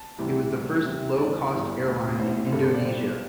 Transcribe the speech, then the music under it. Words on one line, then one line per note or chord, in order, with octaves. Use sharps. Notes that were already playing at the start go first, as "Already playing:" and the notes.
It was the first low cost airline in Indonesia.
Already playing: A5
D2 C3 E3 G3
D2 C3 G3
E2 C3 G3 E5
E2 E3 G3 D5
G1 G2 E3 G3
E1 D2 C3
A1 A2 E3 C5
C5
G1 G2 D3 G3 A4
C5
D5
G1 G2 G3 C5